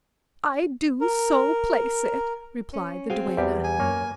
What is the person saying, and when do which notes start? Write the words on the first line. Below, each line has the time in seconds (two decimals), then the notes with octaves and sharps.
"I do so place it," replied the duenna.
1.01 A#4
2.73 C#4
3.10 C4 F#4 G#4 F5 G5 G#5
3.37 E2 G3 G4
3.64 G#5
3.80 F#2 A#3 C#5